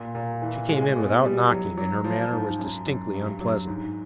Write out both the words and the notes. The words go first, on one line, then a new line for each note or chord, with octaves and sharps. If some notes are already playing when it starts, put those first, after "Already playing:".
She came in without knocking, and her manner was distinctly unpleasant.
Already playing: A#2
A#2
E3
G#3
B2
G3
F#3
F#3
F3
G#2
F#2
F#2
G2
F#3
G#2